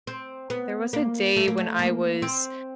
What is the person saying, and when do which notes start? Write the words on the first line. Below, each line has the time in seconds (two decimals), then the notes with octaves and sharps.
There was a day when I was
0.07 C4
0.50 B3
0.93 A#3
1.36 A3
1.48 A#3
1.58 A3
1.79 A#3
2.22 C4